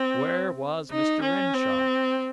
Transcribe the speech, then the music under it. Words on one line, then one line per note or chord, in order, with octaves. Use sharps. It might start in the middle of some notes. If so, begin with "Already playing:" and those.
Where was Mr. Renshaw?
Already playing: C4
D#4
C#4
C4